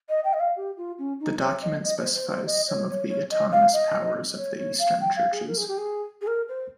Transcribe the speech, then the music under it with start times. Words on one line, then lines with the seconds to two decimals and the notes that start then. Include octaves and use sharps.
The document specifies some of the autonomous powers of the Eastern Churches.
0.09 D#5
0.24 G5
0.33 D#5
0.39 F5
0.56 G4
0.77 F4
0.98 C#4
1.20 D#4
1.41 C#5
1.62 D#5
1.83 D#5
1.98 C5
2.14 C5
2.29 C5
2.46 D#5
2.67 C#5
2.89 C#5
3.09 C#5
3.30 D#5
3.51 F5
3.72 D#5
4.36 C#5
4.57 C#5
4.78 F5
5.00 G5
5.16 F5
5.32 G#4
5.47 A#4
5.57 G#4
5.68 G4
5.77 G#4
6.21 G#4
6.27 A#4
6.48 C5